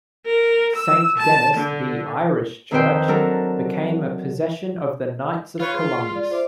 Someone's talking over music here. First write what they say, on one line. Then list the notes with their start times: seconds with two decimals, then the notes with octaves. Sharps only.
Saint Dennis, the "Irish" church, became a possession of the Knights of Columbus.
0.25 A#4
0.75 E6
1.17 A5
1.56 D3
2.71 F2 D#3 C4 B4 C5 G5
3.08 F#3 D4 A4 A#4
5.60 F4 B4 C#5 C#6
5.73 G#4 C6
6.15 D5
6.31 C5 E5 D6